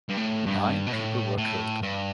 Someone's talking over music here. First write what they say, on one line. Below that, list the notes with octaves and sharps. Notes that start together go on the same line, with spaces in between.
Nine people were killed.
G2
A2
G2
B2
A2
A2
G2